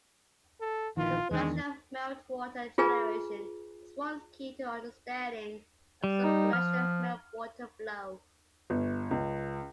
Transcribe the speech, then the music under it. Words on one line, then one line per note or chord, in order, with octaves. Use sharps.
Subglacial meltwater generation is one key to the understanding of subglacial meltwater flow.
A4
A#1 D#3 E3 F4
E2 D#3 G#3 D4
F4 G#4 B4 G#5 A#5
G3
D#4
F3 F6
G1
C#2